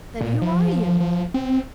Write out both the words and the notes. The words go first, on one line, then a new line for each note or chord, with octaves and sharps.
"Then who are you?"
A#2
F3
F3
C4